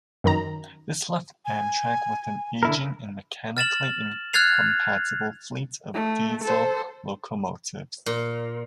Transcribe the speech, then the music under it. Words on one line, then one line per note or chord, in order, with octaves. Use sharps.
This left Amtrak with an aging and mechanically-incompatible fleet of diesel locomotives.
F#2 D#3 A#5
G#5
D3 E4 A#4
F6 A6 E7 F#7
F6 F#6 G#6 A6 C7 F7
A3
A4 C5
A#2